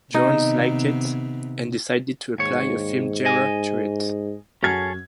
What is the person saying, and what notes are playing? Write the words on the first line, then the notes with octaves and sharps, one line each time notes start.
Jonze liked it, and decided to apply a film genre to it.
C3 D#3 B3 D#4
D#2 G#2 C#5
D#5 G#5
F#2 C#4 F#4 G#4 A4 G#6